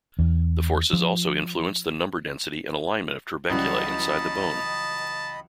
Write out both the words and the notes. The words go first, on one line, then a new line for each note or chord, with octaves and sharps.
The forces also influence the number density and alignment of trabeculae inside the bone.
E2
F3
C#2 E3 F#3 G3 D#5 A5 B5 D#6